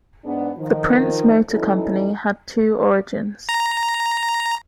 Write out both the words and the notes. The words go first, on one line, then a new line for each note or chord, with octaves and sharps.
The Prince Motor Company had two origins.
G#2 B3 D4
D#3 F3
E3 F#3 C#4 D#4 E4 A4
A#5